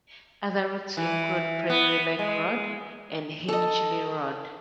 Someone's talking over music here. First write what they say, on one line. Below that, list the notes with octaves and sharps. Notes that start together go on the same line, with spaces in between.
Other routes include Prairie Lake Road and Hingeley Road.
E3
B3
G#3
A4 D#5